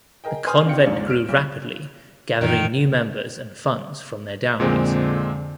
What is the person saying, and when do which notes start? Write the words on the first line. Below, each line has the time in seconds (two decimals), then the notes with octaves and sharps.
The convent grew rapidly gathering new members and funds from their dowries.
0.24 G#4 A#4 D#5 G5
0.45 B4 C5 G#5 C6 D#6 F6
0.66 D3 C4 D#4 F4 G5 C#7
0.86 E1 A#1 G#2 D4 F4 D5
1.08 F6 D7 E7
1.28 B1
2.41 F#2 A#2 D#3 E3
4.60 F2 A#2 D3 G#3 C4